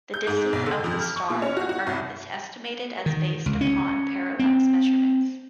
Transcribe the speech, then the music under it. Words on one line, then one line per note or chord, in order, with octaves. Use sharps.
The distance of this star from Earth is estimated as based upon parallax measurements.
G6
G#2
B1
D3
F2
F6
C#6
A#2
C#4
F#4
F#4
C2
D#3
C#2
C#4
C4